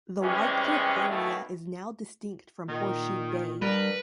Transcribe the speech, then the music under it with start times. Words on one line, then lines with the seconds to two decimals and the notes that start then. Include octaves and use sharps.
The Whytecliff area is now distinct from Horseshoe Bay.
0.21 C3 E3 G3 G#3 C#4
1.09 F#2 B2 D#3 A3 A#3 E4
2.69 A#2 D#3
3.62 G3 B3 D4 A#4 B4